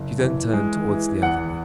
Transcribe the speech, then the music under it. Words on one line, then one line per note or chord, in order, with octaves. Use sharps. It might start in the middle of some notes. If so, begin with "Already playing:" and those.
She then turned towards the avenue.
Already playing: F#1
E3
G#3
E3
E2 F#5